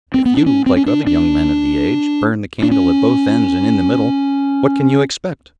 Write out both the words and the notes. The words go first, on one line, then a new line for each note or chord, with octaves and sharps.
If you, like other young men of the age, burn the candle at both ends and in the middle, what can you expect?
C4
B3
D4
C#4
C4
C#4
D4
D4
D4
C#4